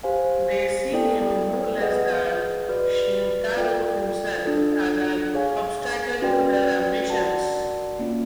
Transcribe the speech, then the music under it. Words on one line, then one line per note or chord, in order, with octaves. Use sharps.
They see him, no less than Shintaro himself, as an obstacle to their ambitions.
G4 C5 F5 G#5
B3 E4 A4 D5 G5
G#4 B4 D#5 F#5
F#4 B4 D5
F4 A4 D5 G5
D4 F4 A4
G#4 C#5 F5 G#5
C#4 F#4 B4 D5 G5
F#4 A#4 D5 F#5 A5
A#3 C#4 F4